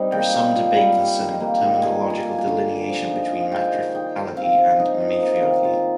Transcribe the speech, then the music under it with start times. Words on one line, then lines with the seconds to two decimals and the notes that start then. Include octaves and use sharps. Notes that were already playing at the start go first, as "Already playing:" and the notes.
There is some debate concerning the terminological delineation between "matrifocality" and "matriarchy".
Already playing: G3 C4 D#4
0.12 A#3 G5
0.34 G3
0.56 F4
0.76 G3
0.97 G3
1.18 D#3
1.40 A#3
1.61 D#3
1.82 G3 G#5
2.04 F4
2.10 G#5
2.24 A#3
2.38 G#5
2.46 D3
2.67 A#3
2.89 F3
3.10 D#4
3.31 F3
3.41 F5
3.52 G#3 G5
3.74 D#3
3.94 D#4 G5
4.16 D#3
4.37 C4 F5
4.58 F3
4.79 D#4 D#5
5.01 F3
5.22 A#3
5.43 D#3
5.64 F4